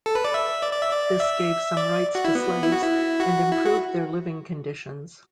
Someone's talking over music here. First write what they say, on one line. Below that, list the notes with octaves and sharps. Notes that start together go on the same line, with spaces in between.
This gave some rights to slaves and improved their living conditions.
A4
B4
D5
E5
D5
D5
E5
D5
E5
D5
F#4
E4
B3
E4
F#4
E4
F#4
E4
F#4